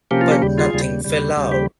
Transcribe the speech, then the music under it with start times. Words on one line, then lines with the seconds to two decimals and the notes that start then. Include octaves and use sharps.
But nothing fell out.
0.11 C3 F3 A#3 C#4 G4
0.21 F4
0.32 G4
0.42 D#2 C#3 G3 G4
0.58 F4 G#4
0.73 D#2 C#3 G3
1.05 D#2 C#3 G3
1.36 D#2 C#3 G3
1.52 G4